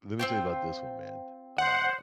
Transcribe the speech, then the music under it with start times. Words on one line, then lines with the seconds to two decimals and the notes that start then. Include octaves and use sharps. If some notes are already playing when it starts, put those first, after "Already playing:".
Let me tell you about this one, man, uh,
0.19 C4 F4 G5
1.58 C5 F#5